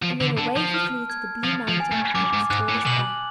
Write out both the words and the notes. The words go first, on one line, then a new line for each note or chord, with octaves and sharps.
And then away he flew to the blue mountain and its tallest oak.
F3 D7
D3
D3 A5
F3
F6
G#6
F3 A6
F3
G#5
A2
F#2 D6
G#2
G#2 F#6
A2
B2 F#7